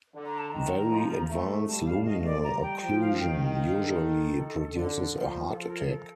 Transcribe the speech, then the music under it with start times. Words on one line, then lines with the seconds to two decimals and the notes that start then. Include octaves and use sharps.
Very advanced luminal occlusion usually produces a heart attack.
0.14 D3
0.26 A#5
0.38 A5
0.50 D#3 A#5
0.90 F3
1.28 A3
1.67 G3 A5
1.86 F5
2.05 A3 D#5
2.25 D5
2.44 G3 A#5
2.62 G5
2.82 F3 G5
3.01 F5
3.20 D#3 G5
3.59 F5
3.78 A4
4.74 D3
5.12 F3
5.50 F3 A4
5.61 A4
5.70 A#4
5.89 A4